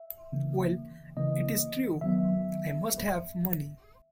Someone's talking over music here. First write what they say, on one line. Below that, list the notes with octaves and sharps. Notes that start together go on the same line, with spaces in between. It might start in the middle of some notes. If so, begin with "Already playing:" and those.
Well, it is true; I must have money.
Already playing: E5
C#3 E3 A#3
C#3 E3 A#3 D#5
D#3 F#3 B3 E5